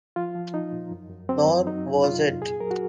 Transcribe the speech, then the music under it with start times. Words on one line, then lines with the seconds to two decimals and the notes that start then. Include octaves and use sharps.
Nor was it.
0.16 F3 F4
0.35 F3
0.54 F3 D#4
0.72 A#2
0.91 F#2
1.10 F#2
1.29 F#3 C4
1.48 F#2
1.67 F#3 D#4
1.85 C3
2.04 C3 F4
2.22 F2
2.41 A#2 G#4
2.60 F#3 A#4
2.71 F#4